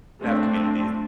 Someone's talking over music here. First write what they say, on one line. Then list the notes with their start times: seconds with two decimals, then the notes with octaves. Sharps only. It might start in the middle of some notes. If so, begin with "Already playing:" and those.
I have community.
0.24 A3 C4 D4